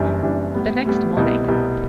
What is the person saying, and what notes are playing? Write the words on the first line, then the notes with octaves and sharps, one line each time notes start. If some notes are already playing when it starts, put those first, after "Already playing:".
The next morning.
Already playing: F#1 F#2 E3 G3 D4
F#1 F#2 E3 G3 D4
A2 G3 B3
A2 G3 B3
C2 B2 G3 B3 E4
C2 B2 G3 B3 E4